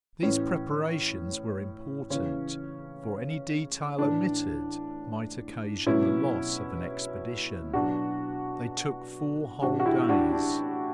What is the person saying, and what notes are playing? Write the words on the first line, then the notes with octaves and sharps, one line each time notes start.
These preparations were important, for any detail omitted might occasion the loss of an expedition; they took four whole days.
A2 E3 C#4
C#3 E3 C#4
A2 E3 D4
B2 F#3 C#4 E4
B2 F#3 D4 F#4
A2 E3 D4 F#4
F#4
E4 G4
D4 F#4
D4